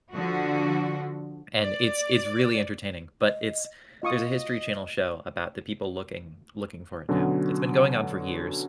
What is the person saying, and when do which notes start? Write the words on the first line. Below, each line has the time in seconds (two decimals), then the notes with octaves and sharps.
And it's it's really entertaining, but it's there's a History Channel show about the people looking looking for it now. It's been going on for years,
0.12 D3 F3 F#4
1.62 D5
3.26 D#5
4.03 F4 D#5 C#6 D#6
7.09 B2 D3 F#3 C#4